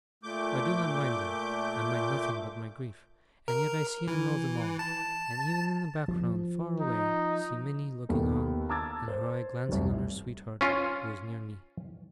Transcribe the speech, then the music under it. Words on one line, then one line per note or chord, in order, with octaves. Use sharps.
I do not mind them--I mind nothing but my grief--and yet I see and know them all; and even in the background, far away, see Minnie looking on, and her eye glancing on her sweetheart, who is near me.
A#2 A3 D6 G6
A#4
E3
A5
F3
D#4
D#2 B3 A4
A5 A#5 D6 E6 G#6 A6
C5
F1 C2
C#4 F4